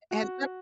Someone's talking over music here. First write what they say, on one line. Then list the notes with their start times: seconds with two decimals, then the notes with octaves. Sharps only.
And so
0.11 F#4